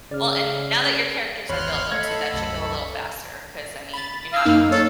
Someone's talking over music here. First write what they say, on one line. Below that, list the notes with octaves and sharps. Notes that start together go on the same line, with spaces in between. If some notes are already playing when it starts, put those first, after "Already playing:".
Well, and, now that your characters are built though too, that should go a little faster 'cause, I mean, you're not
C#3 D5 F6
G#1 E2 C#5 B5 C6 F6 F#6
A3 A4 D#5 F5 B5 G#6 C#7
C2 F#2
B5 A6
F5 D#6 E6
F#2 A#3 D#4
A4 C#5